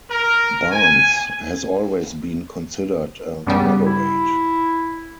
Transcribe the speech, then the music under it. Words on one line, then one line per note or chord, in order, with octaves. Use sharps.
Barnes has always been considered a moderate.
A#4
G#5
G2 C#3 G3 B3
E4